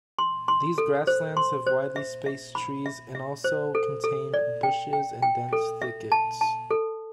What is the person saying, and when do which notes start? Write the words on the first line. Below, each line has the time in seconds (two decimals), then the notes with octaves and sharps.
These grasslands have widely spaced trees and also contain bushes and dense thickets.
0.19 C6
0.48 C6
0.78 A4
1.07 C5
1.37 C6
1.67 C5
1.96 E5
2.26 E5
2.55 B5
2.86 E5
3.15 E5
3.44 C5
3.75 A4
4.04 A4
4.34 D5
4.63 G5
4.93 G5
5.23 G5
5.53 A4
5.82 E5
6.12 A5
6.41 A5
6.71 A4